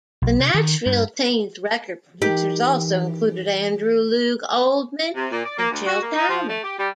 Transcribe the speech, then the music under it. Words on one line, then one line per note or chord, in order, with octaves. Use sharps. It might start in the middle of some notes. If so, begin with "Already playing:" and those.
The Nashville Teens' record producers also included Andrew Loog Oldham and Shel Talmy.
B1
C3
D#3
G2
E3 D#4 G4 A#4
C3
A#2
D5
A#3
D2
F#4
A#3
D#4
F3
A3
G4
G3